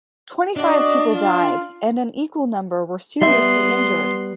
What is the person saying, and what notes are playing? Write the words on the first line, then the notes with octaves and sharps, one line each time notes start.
Twenty-five people died, and an equal number were seriously injured.
D4 F#4 D5 D#5
F4
G3 B3 E5 C6